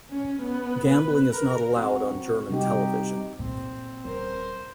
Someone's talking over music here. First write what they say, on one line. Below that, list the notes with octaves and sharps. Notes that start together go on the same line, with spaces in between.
Gambling is not allowed on German television.
C#4
B3
B4
A#4
C4 F#4
C3 G3 D#4 G4
A#2 C4
D#1 A#4 C5